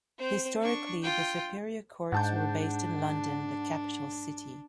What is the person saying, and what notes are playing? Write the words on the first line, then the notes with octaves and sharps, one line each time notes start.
Historically, the superior courts were based in London, the capital city.
C4 C5
D4 C#6
F4 G5
G#2 D4 F#5 A5 G6